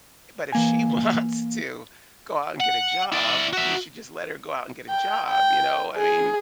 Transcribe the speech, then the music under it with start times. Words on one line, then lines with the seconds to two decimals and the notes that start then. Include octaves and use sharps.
It But if she wants to go out and get a job, you should just let her go out and get a job, you know, I mean
0.52 E3 A#3 G#5
2.60 F#5
3.12 E4 D5
3.53 F#4 E5
4.89 G5
5.29 G5
5.96 G#4